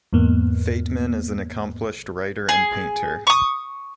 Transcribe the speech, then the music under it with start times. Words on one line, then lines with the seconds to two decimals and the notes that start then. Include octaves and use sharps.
Fateman is an accomplished writer and painter.
0.13 E2 G#2 A#3 B3
2.49 G#4
3.27 C#6 D#6